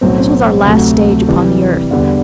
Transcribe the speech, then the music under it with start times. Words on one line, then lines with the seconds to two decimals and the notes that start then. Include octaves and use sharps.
This was our last stage upon the earth.
0.01 B1 A2 F#3 C4
0.64 D2 C3 F#3 A3
1.28 C3 E3 G3
1.91 E2 D3 G3 B3